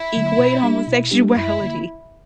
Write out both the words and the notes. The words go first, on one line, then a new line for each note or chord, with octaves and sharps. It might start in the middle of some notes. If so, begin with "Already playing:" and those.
equate homosexuality?
Already playing: E4
D3 F#3 A#3
B2
G3 A#3 D4 G4
B2
G3 A#3 D4 G4
F#2 E4
D3 A#3